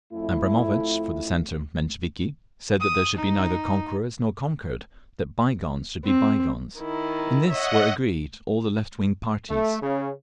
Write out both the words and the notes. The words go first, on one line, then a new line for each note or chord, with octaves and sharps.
Abramovitch, for the centre Mensheviki, said that there should be neither conquerors nor conquered--that bygones should be bygones. ...In this were agreed all the left wing parties.
F2 A3 E4
D#6
D#4
C4
D#3 E4
C#5 D#5 E5 F#5
A3
C#3